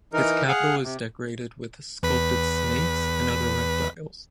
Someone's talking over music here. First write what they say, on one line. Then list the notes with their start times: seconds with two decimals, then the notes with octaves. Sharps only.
Its capital is decorated with sculpted snakes and other reptiles.
0.13 E3 D#4 A#4
0.48 G#4 F5 F#5
0.83 C3
2.03 E2 B4 B6